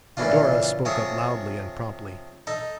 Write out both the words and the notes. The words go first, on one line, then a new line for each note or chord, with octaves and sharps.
Medora spoke up loudly and promptly.
A#2 C#3 E3 D4 F4
C3 F3 G#4 A4 C#5 D#6
D#4 A4